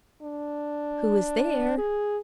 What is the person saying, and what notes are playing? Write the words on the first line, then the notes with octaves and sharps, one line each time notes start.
"Who is there?"
D4
G#4